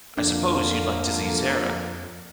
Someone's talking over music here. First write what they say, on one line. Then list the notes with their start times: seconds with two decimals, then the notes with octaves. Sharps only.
I suppose you’d like to see Zara.
0.18 F2 D3 A#3 D4 A4